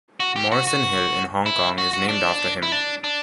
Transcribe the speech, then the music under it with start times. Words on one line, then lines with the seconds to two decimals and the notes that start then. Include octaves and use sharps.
Morrison Hill in Hong Kong is named after him.
0.20 F#4
0.36 G4
0.52 F#4
0.67 F#4
1.46 E4
1.78 F#4
1.94 F#4
2.09 D4
2.62 E4
2.72 D4
3.04 D4